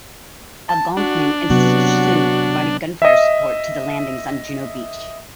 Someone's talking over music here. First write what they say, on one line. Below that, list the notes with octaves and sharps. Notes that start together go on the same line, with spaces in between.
"Algonquin" and sister "Sioux" provided gunfire support to the landings on Juno Beach.
A5
D4 F#4
C3 F#3 B3 F#4
D#5 E5